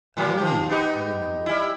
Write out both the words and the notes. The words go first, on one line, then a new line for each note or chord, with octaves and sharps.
"Oh!" I remembered.
G#2 F#3 A#3
D#3 F3 G4
B3 D#4 G4
G3 E4